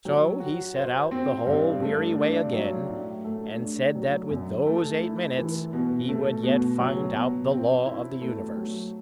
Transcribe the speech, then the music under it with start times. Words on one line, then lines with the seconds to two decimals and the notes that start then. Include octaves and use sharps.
So he set out the whole weary way again, and said that with those eight minutes he would yet find out the law of the universe.
0.05 F#3
0.40 F#4
0.76 C5
1.11 C4
1.47 G2
1.82 A3
2.18 D4
2.53 F#3
2.89 A2
3.24 A3
3.60 D4
3.95 F#3
4.30 F#2
4.67 A3
5.02 E4
5.38 E3
5.73 B2
6.09 A3
6.44 B2
6.79 F#3
7.14 B2
7.51 C4
7.86 E4
8.22 A3
8.57 F#3